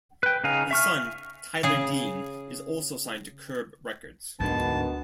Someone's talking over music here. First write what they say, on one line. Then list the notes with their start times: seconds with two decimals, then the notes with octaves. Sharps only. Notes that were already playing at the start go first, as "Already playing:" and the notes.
His son, Tyler Dean, is also signed to Curb Records.
0.23 B4 G5
0.44 C#3 D#4 F5 G#5
0.71 E5 C#6 F6
1.63 C#3 G#4
4.40 D2 G#2 B2 D3 D#3 B3 D4 A5